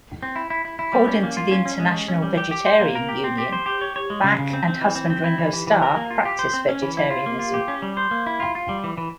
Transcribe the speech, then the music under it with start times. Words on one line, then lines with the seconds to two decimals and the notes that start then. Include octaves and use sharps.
According to the International Vegetarian Union, Bach and husband Ringo Starr practice vegetarianism.
0.23 C4
0.36 E4
0.50 E4
0.65 E4
0.79 E4
0.93 G3
1.08 C#4
1.23 A#3
1.37 F4
1.51 C#4
1.65 C#4
1.79 G#3
1.94 C#4
2.08 C#4
2.22 G3
2.37 G4
2.51 G4
2.66 C5
2.80 A#3
2.95 A#4
3.09 G4
3.24 C4
3.38 G4
3.52 C5
3.66 G4
3.81 C#5
3.96 C#5
4.10 G#3
4.24 C#3
4.38 C#3
4.53 C4
4.68 C4
4.81 E3
4.96 C4
5.10 C4
5.24 E4
5.38 E3
5.53 E3
5.67 E3
5.82 A#4
5.96 A#3
6.11 F4
6.25 G4
6.39 C5
6.53 C4
6.69 C#4
6.82 E3
6.97 E4
7.11 F4
7.26 A#3
7.39 F4
7.54 G4
7.68 C#4
7.82 G3
7.97 C5
8.11 A#3
8.26 E4
8.40 F4
8.55 F4
8.69 G3
8.84 E3
8.97 E3